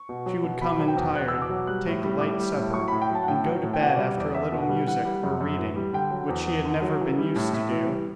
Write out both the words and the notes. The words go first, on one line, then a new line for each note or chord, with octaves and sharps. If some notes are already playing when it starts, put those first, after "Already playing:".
She would come in tired, take a light supper, and go to bed after a little music or reading, which she had never been used to do.
Already playing: C#6
B2
F#3
B2
B2 B5
F#3
G5
E2
E2 F#6
E6
B2
D6
F#3
G3 F#6
A2
G3
A2 D6
G3
A2
F#3 C#6
B5
A2
G5
F#3 A5
F#5
A2 G5
F#3
A2
G5
B2 F#5
G3 D5
E2 D5
E2 E5
B2
F#5
G3
E3 F#5
G3
F#2
F#2
E3
G3
D3 G5
F#3
E2
E2
D3
F#3
E3
G3
A2
A2 E5
E3
G3